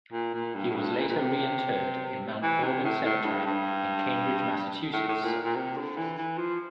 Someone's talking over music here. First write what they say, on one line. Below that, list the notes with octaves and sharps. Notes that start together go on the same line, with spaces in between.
He was later reinterred in Mount Auburn Cemetery in Cambridge, Massachusetts.
A#2
A#2
G2
A2
G2
A#2
A#2
C3
E3
C3
A2
A2
G2
G2
A2
A2
A#2
A#2
C3
D3
E3
E3
F3